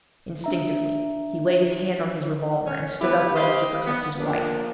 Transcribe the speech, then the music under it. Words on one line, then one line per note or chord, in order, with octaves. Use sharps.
Instinctively he laid his hand on his revolver, and stood up ready to protect his wife.
D4 E5 A#5
C#4
B3 E4 G4 B4
G4 C5 D#5 F5 B5
B3
F3 A#3 D4